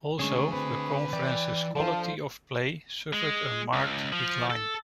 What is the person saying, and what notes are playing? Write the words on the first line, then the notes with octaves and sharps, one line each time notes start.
Also, the conference's quality of play suffered a marked decline.
D3 G#3 A3 C#4 G#4 C#6
C4 B4
E3 D5 G5
F3 D4 F4 A4 C5 A5
G#3
C#2
F3
A4